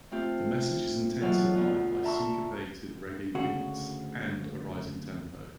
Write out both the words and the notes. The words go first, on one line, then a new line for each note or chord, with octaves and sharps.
The message is intensified by syncopated Reggae beats, and a rising tempo.
A3 C4 F4 G4
G#2 B2 E3 F#3 F4 A4
D2 B3 F4
E5 A5 A#5 C6 C#6 E6
D2 C#3 F#4